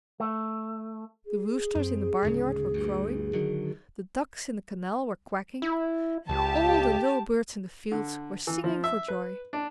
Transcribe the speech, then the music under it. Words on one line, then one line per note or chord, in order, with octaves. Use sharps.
The roosters in the barnyard were crowing, the ducks in the canal were quacking, and all the little birds in the fields were singing for joy.
A3
G#4
F#2 C4
D1 G#2 C#3
D2 G2
D3 D#3 F#3
E4
C#2 G4 A5
D3
E3
F3
E5
B4
D4